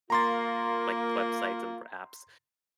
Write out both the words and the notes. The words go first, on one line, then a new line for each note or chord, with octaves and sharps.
like, websites and br apps.
A#3 F4 A#5 C6 A6